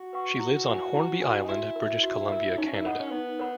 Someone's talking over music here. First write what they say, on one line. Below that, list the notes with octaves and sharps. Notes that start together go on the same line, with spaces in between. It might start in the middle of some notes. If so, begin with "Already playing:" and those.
She lives on Hornby Island, British Columbia, Canada.
Already playing: F#4
B4 F#5 C#6
E4
A#4 C#5 G#5
E4
A#4 C#5 G#5
D#4
E4 F#4
A#4 E5
F#4
A#4 E5
C#4 D#4
E4
D#4 A#4 C#5 F#5 B5
C#4
B3 D#4
A#4 C#5 F#5 B5